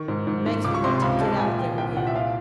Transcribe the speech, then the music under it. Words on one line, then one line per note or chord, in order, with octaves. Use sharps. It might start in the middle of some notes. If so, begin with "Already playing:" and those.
It makes me want to get out there again.
Already playing: D#3 C#6
G#2
G#2
G#2
C#2 D6
C#6
C3 C6
C6
C#2 B5
G#3 A5
A#2 G#5
F3 G5
C2 G5
A#2 F#5
E5
F5